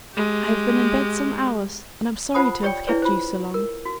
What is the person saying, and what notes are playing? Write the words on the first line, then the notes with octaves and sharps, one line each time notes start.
"I have been in bed some hours, and I'm sorry to have kept you so long."
G#3 G4
F4 C5 F#5 A5 B5 D#6
G4 C#5 D5 G5
D4 E4 G#4 B4 C#5 D5
F4 C5
A#4
F#4